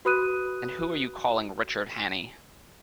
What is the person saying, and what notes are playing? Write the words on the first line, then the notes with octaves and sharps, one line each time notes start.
And who are you calling Richard Hannay?
F#4 B4 B5 D#6 F#6 D#7